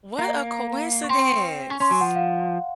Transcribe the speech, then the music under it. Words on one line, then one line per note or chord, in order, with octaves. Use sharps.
What a coincidence.
A#3 A#5
C#6
C4 C6
C#4 C#6
C#4 C6
F#3 G#5
F3 F#5
F5